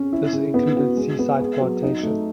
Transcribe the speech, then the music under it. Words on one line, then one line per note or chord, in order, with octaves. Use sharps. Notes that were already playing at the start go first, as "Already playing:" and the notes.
This included Seaside Plantation.
Already playing: C#4
E4
C#3
B3
F#4
G#3
B3
G#4
F#3
D#4
A3